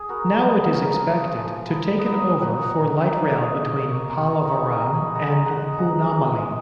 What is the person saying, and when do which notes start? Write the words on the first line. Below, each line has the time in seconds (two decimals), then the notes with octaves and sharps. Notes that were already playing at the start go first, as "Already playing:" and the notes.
Now it is expected to taken over for Light Rail between Pallavaram and Poonamallee.
Already playing: G#4
0.09 B3 F#4 A#4
0.40 F3 G#4 B4
0.72 F4 A#4 C#5
1.05 F3
1.36 F3
1.67 B3
1.99 A#3 B4 D#5
2.30 A#3
2.40 D#5 F#5
2.62 D#4 F#5 A#5
2.93 A#3
3.25 D#4
3.57 D#4
3.88 A#3 A#5 C#6
4.10 A#5 C#6
4.20 D#4
4.30 A#5 C#6
4.45 B5
4.51 G#3 A#5 C#6
4.72 A#5 C#6
4.83 D#4
4.94 G#5 B5
5.15 G#3 F#5 A#5
5.46 D#4 F#5 A#5
5.78 G#3 F#5 A#5
6.10 G#3
6.42 G#3